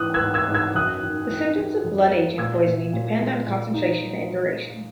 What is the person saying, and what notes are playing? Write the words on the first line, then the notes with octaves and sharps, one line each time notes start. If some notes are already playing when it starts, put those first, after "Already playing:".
The symptoms of blood agent poisoning depend on concentration and duration.
Already playing: G#2 E3 D#6 F#6
E6 G#6
G#2
E6 G#6
G#2
E6 G#6
F#2 D#6 F#6
D#3
D#3
D#3
F#2
A#3
A#2 E6 G#6
A#2
A#2
G#3
A#2
D#4